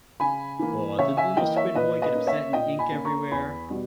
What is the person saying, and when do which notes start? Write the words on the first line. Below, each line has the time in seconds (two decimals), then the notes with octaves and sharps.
Aw, did little squid boy get upset and ink everywhere?
0.20 C#3 G#5 B5
0.59 E3 A#3
0.99 C#3 C#5 E5
1.17 E5 G#5
1.37 E3 A#3 D#5 G5
1.56 C#5 E5
1.75 A#2 B4 D#5
2.02 B4 D#5
2.15 A#3 C#4
2.27 C#5 E5
2.53 A#2 D#5 G5
2.79 G#5 B5
2.92 A#3 C#4
3.05 A#5 C#6
3.32 E2 G#5 B5
3.70 B2 G3